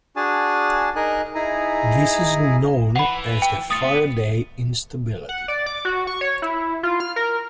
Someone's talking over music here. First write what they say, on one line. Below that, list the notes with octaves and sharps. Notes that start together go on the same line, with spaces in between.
This is known as the Faraday instability.
D4 F#4 G#4 G#5 A5
D#4 G#4 A#4 G#5 F#6
D#4 E4 G#4 G#5 A#5
E3 F#5 B5
G5
A3 F4 D#6 A6 C#7
B3
F#5
D5
D6
F#4
C#6
C#5
E4
F4
F6
A#4